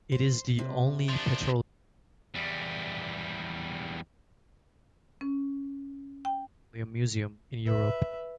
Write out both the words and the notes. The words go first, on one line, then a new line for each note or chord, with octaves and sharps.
It is the only petroleum museum in Europe.
C5
C3
F3 D4
E2 G3
C#4
G5
B4 E5